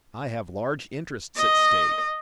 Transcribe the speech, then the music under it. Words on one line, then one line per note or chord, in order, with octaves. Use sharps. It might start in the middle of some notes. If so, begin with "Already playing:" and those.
I have large interests at stake.
D#5